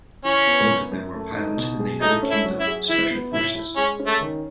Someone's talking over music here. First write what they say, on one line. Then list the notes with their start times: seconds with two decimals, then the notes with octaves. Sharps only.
Both of them were pilots in the United Kingdom Special Forces.
0.25 E3 C#4
0.47 B3
0.69 F#2
0.92 F#2
1.13 A3
1.35 D#4
1.57 B2
1.79 G#4
2.01 A3 D#4
2.23 C#4
2.30 E4
2.45 F#3
2.60 E4
2.67 G#4
2.89 E3 E4
3.11 B3
3.33 A2 E4
3.55 E4
3.76 G#3 C#4
4.00 C#4
4.07 A3
4.21 D#3